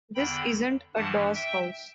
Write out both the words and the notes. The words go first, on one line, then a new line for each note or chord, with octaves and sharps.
This isn't a doss house.
E2 D3 G5 B5
G2 E3 F#5 A5
E5 G5